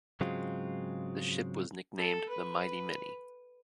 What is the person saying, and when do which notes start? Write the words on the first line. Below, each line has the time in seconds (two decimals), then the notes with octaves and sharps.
The ship was nicknamed the "Mighty Minnie".
0.20 G#2 C#3 F#3 G#3 C4 F4
1.97 A4
2.29 B4